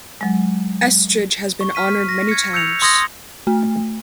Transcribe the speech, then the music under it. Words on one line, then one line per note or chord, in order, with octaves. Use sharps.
Estridge has been honored many times.
F#3 G#3
C#6
F6 B6 D#7
A#6
G#6 C#7
E6 G6 C#7 F7
C6 D#6 G#6 A#6 G7
A3